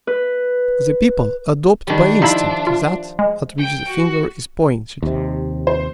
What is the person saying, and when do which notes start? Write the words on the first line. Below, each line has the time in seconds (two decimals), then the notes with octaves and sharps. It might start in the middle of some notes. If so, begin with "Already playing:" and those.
The people adopt by instinct that at which the finger is pointed.
0.07 B4
1.87 D#3 G3 D4
2.22 F3 D#4 E4 E5 F5 B5
2.67 F4
3.19 G#3
3.58 G5 D7
3.87 F#4
5.03 D#2 C3
5.67 C5